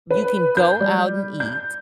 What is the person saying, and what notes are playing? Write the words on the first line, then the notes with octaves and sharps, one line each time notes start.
you can go out and eat,
B4
G6
G3
G6